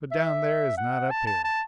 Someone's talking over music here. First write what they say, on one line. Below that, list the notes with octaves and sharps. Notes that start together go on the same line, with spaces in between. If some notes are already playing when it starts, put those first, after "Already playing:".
But down there is not up here.
E5
F#5
A5
A5
A5